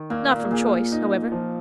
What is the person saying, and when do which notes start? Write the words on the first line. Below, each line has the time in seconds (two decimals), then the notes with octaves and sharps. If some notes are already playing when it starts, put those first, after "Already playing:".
Not from choice, however.
Already playing: D#3
0.10 A#2 A#3
0.31 A#2
0.51 A#2 G#4
0.92 D#4
1.32 F3